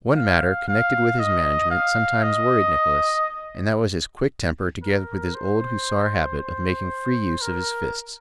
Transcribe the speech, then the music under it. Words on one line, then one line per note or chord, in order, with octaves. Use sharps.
One matter connected with his management sometimes worried Nicholas, and that was his quick temper together with his old hussar habit of making free use of his fists.
F5
F5
D#5
F5
D#5
A#4
C5
C5
A#4